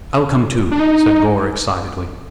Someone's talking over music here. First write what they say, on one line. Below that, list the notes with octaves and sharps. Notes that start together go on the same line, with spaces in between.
"I'll come too," said Gore, excitedly.
D4
D#4